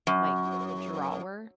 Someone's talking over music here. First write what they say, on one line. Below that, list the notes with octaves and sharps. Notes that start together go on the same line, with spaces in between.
like, drawer?
F#2